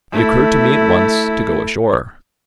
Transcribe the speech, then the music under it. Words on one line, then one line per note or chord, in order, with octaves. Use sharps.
It occurred to me at once to go ashore.
A3 E4